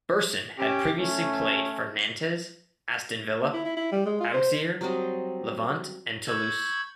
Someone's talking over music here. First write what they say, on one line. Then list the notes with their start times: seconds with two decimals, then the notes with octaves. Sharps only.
Berson had previously played for Nantes, Aston Villa, Auxerre, Levante and Toulouse.
0.58 C#4 G4
0.97 A3 C#4
3.42 A#3
3.54 E4
3.65 E4
3.77 E4
3.92 G3
4.06 G#3
4.20 F4
4.34 C5
4.81 F#3 G3 C4 D#5
6.27 B5 C#6 E6 G6 G#6